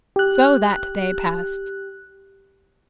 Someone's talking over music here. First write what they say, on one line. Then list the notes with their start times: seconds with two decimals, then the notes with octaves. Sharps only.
So that day passed.
0.16 G4 F#6